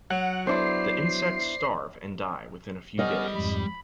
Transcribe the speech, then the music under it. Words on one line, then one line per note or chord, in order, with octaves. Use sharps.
The insects starve and die within a few days.
F#3 F#5
B3 D4 E4 C5 D5 C7
G3 B3 C#4 D#5 F6
F2 G#2 B5